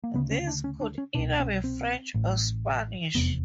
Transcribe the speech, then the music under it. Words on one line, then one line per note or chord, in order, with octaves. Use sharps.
These could either be French or Spanish.
A#3
D2 C#3 B3
C#4
D4
C#4
D4
C#4
C2 B2 D4
C#4
C4
A1 A2
F1 E2 C3 B3